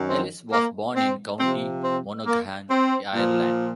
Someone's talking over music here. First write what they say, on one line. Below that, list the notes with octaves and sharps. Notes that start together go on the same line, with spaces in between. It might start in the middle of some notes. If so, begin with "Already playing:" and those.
Ellis was born in County Monaghan, Ireland.
Already playing: F#2 D#3 F#3
C4
A#3
C4
C3 F3 C4
C4
A#3
C4
A#2 F3